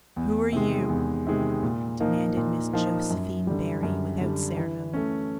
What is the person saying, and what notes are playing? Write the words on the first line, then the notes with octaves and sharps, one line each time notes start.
"Who are you?" demanded Miss Josephine Barry, without ceremony.
E2
C3 D#3 G#3
E2
C3 D#3 G#3
A#2
F3 A#3 D#4
A#2
F3 A#3 D#4
F#2
D3 G3
F#2
D3 G3
E3
A3 C#4